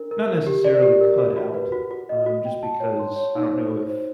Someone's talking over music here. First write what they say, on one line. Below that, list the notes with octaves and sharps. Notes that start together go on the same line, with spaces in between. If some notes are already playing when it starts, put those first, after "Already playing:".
Not necessarily cut out, um, just because I don’t know if
Already playing: D4 A#4
A#4
A#4
G4
D5
G4
A#4
F#4
F#4
B4
F#4
F#4
D#5
F#4
G5
A5
C#5
C6
C#5
D#4
C5
F#4
C5